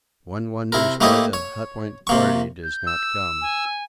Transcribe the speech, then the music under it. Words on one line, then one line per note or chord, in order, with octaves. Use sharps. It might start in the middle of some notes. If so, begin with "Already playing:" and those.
One wonders why the Hut Point party does not come.
C3 E4 A#4
A3 A#3 E4 G4 C#5 D#5
C#5
C3 A#3 C#6
G6
E6
G#5